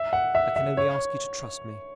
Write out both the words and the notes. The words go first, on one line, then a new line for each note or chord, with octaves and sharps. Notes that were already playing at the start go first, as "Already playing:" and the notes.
I can only ask you to trust me.
Already playing: E5
F#5
E5
E5
C#5